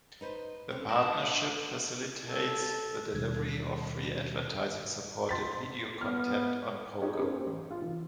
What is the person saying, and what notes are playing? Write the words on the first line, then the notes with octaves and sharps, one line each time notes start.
The partnership facilitates the delivery of free advertising-supported video content on poker.
D#4 B4 C5
C4 C#4 G5
B3 D4 D#5 A5
D3 A3
A4
D#2 B2 D#3 G3 G#6
C6 A6 B6
B3 F6
D#4 G4 G#4 B4 C#5 D#5
A#3 C#4 G4 G#4 A#4 C5
A1
F4
E3